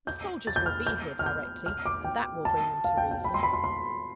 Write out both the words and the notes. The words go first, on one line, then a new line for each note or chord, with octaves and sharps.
'The soldiers will be here directly, and that will bring them to reason.'
G6
A6
G6
F6
G6
F6
G6
F6
D6
G5
A5
F5
G5
G5
B5
C6
B5
C6
C6